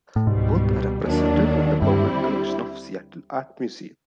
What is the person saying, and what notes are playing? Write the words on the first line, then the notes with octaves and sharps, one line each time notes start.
Both are represented in the permanent collection of the Seattle Art Museum.
A2
C#2 G#2 B2 G3
D#2 D#3 F#3 A#3 D4
G2 D3 G3 C4 E4